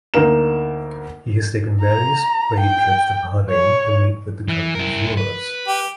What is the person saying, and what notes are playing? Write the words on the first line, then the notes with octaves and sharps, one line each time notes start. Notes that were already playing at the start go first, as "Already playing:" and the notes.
He has taken various paid trips to Bahrain to meet with that country's rulers.
D2 A#3 D#4 A#4 E7
A#5
G5
C#5
E3
E4 A#4
B4
G4